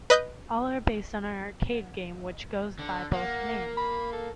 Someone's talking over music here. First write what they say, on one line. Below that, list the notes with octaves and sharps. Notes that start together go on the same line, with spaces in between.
All are based on an arcade game which goes by both names.
B4 D#5 D#6 G6
D3
A#3 F#5
B5
A4